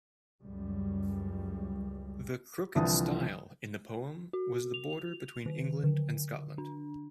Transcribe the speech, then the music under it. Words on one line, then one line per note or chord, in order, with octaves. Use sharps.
The "crooked stile" in the poem was the border between England and Scotland.
C#2 F#2 G3
C2 D3 E3 F3 A5 D#6
F#4
F7
D#3
D3
D4